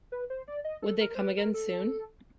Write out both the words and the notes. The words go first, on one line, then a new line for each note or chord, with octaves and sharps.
Would they come again soon?
B4
C5
D5
D#5
A4
A#4
C5
B4
A#4
A4